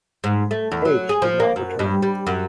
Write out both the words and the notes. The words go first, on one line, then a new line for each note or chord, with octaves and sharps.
Page did not return.
G#2
A3
E2
F#3
G#4
F3
A#3
F#2
G2
G3
F#2